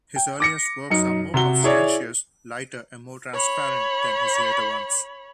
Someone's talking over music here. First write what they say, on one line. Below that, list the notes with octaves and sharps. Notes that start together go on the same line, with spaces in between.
His earliest works are more conscientious, lighter and more transparent than his later ones.
G5
D6 A#6 C#7
F#2 D#4 C#7
C3 F#4 G7
E4 G#4 C#5 D5
C#5 B5